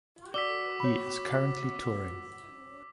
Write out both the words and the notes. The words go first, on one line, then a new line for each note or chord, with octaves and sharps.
He is currently touring.
F#4 D5 D6 E6 B6 G7
C#5 B5